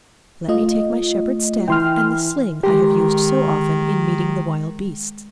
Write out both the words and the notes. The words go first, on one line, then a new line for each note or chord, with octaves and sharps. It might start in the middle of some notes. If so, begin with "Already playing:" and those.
Let me take my shepherd's staff and the sling I have used so often in meeting the wild beasts.'
A3 F4 D#5
E3 G5 C6 F6
D#3 G#3 G4 A#5 C6